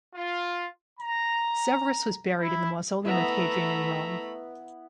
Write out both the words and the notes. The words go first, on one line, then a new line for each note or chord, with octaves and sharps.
Severus was buried in the Mausoleum of Hadrian in Rome.
F4
A#5
E4
A3 B3 E4 B4 D#5 E5 A#5 B5